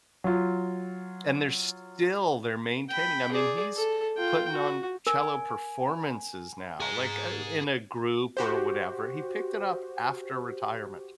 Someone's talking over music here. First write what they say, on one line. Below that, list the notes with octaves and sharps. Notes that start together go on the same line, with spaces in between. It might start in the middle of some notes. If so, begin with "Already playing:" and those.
And they're still they're maintaining I mean, he's putting on cello performances now, like, uh, in a group or whatever. He picked it up after retirement.
F#3 F4
G5 B5
G#4 D5
A4
F4 G5
F#4
A#4 G#5
G#4 A#5
F#4 G4 C5